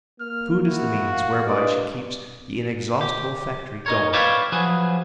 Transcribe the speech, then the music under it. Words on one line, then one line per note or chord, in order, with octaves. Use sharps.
Food is the means whereby she keeps the inexhaustible factory going.
A#3 F6
E4 F#4
F5
G2 D5 D#5
G4
D#4 A#4 C#5
B4 C#5 D5 E5 F5 G5
F3 F#3 G#4 B4